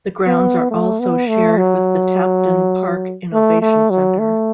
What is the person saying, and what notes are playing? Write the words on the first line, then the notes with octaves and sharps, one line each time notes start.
The grounds are also shared with the Tapton Park Innovation Centre.
B3
A3
B3
A3
F#3
A3
A3
F#3
A3